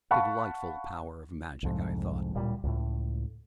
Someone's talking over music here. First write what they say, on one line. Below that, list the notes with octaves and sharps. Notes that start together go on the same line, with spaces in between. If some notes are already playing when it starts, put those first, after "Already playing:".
"Delightful power of magic!" I thought.
F5 F#5 A5 B5 C#6
C2 F2 G#2
D1 A#2 G3
C#2 A2